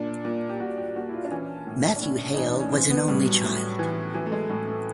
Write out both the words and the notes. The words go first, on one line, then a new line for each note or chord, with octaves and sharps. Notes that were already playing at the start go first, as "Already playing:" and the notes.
Matthew Hale was an only child.
Already playing: A#2 D4
A#2
G4
A#2 F#4
G4
A#2 F#4
E4
F4
D4
E3 C#4
A2
D4
A2 C#4
E3 D#4
D4
C#4
E3 C4
B3
A2 G3
F#3
A2
E3
E3 F#3
A3
G#3
A2 G#3
A3